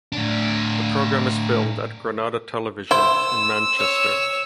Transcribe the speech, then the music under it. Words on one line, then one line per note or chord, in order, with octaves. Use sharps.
The programme is filmed at Granada Television in Manchester.
A2 D4
E4 C5 E6
C#5